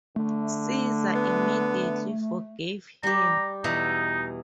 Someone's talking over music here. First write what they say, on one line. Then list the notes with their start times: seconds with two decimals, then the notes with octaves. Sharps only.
Caesar immediately forgave him.
0.16 D3 A3
1.15 B3
3.03 G3 G4 A#5
3.64 E2 B2 E3 D#4